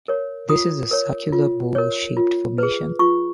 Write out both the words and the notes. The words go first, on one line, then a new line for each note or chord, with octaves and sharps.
This is a circular, bowl-shaped formation.
A#4 C#5
F4 D#6
A#4 C#5
F4
A#4 C#5
F4
G#4 B4
F4 C#6